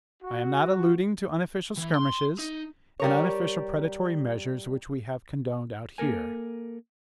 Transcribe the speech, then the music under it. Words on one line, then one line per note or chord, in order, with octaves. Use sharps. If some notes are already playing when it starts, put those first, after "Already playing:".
I am not alluding to unofficial skirmishes, and unofficial predatory measures which we have condoned out here.
F#4
E3
C6
D#4
G3 A#4 C#5
A#3 A4 A#4 G#5